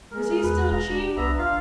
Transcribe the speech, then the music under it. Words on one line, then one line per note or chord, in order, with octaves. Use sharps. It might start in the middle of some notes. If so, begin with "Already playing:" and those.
"Is he still chief?"
G#3 A#4
E2 B4
E1 A#5
D4
C2 B3 E5 A#5
G#1 F4 F5